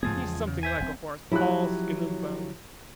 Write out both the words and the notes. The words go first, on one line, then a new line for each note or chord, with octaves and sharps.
He's something like a horse--all skin and bone.
C#2 G#2 F3 A3 B3 G#4
E2
C#3
C5 E5 G#5
F1 F2 C4
F3 F#3 E4 G4 F#6